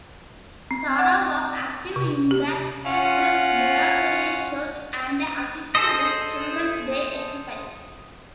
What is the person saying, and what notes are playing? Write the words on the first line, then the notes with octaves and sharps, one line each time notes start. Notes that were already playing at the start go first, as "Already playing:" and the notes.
Sarah was active in the Presbyterian church and assisted with Children's Day exercises.
C4
F#5
C3
G4
C#4 F4 F#5
G#4 A4 C5 D#5